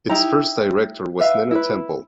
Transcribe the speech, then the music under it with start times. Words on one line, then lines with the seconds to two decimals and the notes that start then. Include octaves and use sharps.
Its first director was Nina Temple.
0.09 D#4 E4 G4 A#5
1.19 B4 E5 F5
1.51 E4 B4